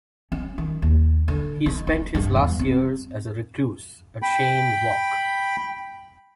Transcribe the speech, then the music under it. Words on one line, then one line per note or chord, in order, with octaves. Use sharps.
He spent his last years as a recluse at Cheyne Walk.
C#4
D#3
D#2
D3
D#4
D#4
G2
E2
C4
G5 B5